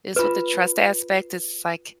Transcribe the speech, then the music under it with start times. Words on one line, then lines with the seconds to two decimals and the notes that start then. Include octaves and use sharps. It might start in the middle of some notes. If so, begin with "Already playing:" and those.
it's with the trust aspect, it's like
0.16 F4 B4